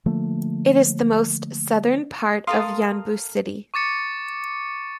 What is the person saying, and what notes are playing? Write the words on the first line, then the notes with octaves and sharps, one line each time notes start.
It is the most southern part of Yanbu city.
D3 F3 A3 A#3
A4 A#4 F5 C6 D#6
C#6 D6 A6 C#7